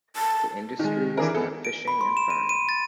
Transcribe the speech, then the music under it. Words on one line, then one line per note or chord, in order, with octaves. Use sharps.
The industries are fishing and farming.
A5
D#3 G#3
E3 D4 G#4 A#4
B3 G#4 A4
D7
B5
C6
E7
D#7
D#7
A6